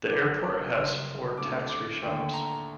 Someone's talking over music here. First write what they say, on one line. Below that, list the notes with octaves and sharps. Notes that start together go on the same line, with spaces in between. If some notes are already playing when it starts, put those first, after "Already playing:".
The airport has four tax-free shops.
G1 F#2 D3 F#3 D6
D6
F#1 F#2 D#3 G3 C6
D2 D3 A3 C4 D6
D6
D#2 D3 A3 G5
A#5